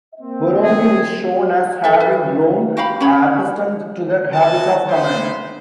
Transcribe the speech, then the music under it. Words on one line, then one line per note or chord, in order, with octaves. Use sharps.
Boromir is shown as having grown accustomed to the habit of command.
A#3 C4
G#4
A4 E5
B4
F#4 G4 F5 B5
C#4 G4 C#5 B5
B4 C5 D#5 F#5 G#5 A5
G1 B3 C5